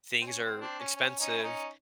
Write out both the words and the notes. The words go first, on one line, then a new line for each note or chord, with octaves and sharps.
things are expensive,
C4
C#4
C4
C4 D4
C#4
C#4
C#4 D#4
E4
C#4 D#4